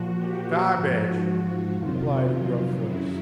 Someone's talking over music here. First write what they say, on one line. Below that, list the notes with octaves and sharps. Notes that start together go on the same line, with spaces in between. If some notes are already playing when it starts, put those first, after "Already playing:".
"Garbage!" replied a gruff voice.
Already playing: A#2 F3 F#4
G4
G#2 F3 F#4
F2 C3 D#3 F#3 F4
F#2 C#3 F#3 E4